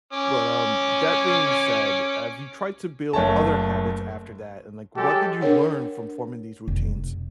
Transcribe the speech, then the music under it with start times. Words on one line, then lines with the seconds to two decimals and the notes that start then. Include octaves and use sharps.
But, um, that being said, have you tried to build other habits after that? And, like, what did you learn from forming these routines?
0.13 C#4 D6
3.13 F#1 A3 C#5 A5
4.96 F#3 G#3 G4 A4
5.41 D4 A#4 C#5 F#5
6.68 F1